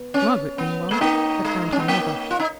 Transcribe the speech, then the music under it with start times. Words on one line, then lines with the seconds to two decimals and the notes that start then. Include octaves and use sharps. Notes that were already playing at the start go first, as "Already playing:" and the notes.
Margaret meanwhile had found her mother.
Already playing: B3
0.14 C#4
0.58 B3
0.91 G#3
1.01 A#3 D#4
1.45 G#3
1.72 C#4
1.80 B3
1.88 A#3
2.31 F4
2.40 D#4